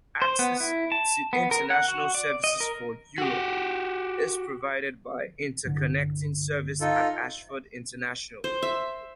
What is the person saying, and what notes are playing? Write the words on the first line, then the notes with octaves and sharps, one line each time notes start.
Access to international services for Europe is provided by interconnecting service at Ashford International.
C5
B3
E4
A5
B3
A#4
F#5
F#4
D5
D#5
A#4
F#4 G4
C2 G2 D3
D#4 F4 A4
C5
E5